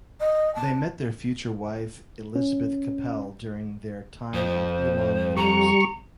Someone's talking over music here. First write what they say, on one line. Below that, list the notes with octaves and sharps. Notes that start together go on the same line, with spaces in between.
They met their future wife Elizabeth Capel during their time at Elon University.
D#5
A5
C#4
F2 C5
G3 A#5 C#6